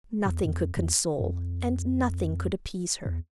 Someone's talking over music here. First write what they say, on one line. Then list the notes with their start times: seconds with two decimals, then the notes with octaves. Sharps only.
Nothing could console and nothing could appease her.
0.26 E2
0.45 E2
0.57 F2
0.77 E2
1.19 F2
3.05 E2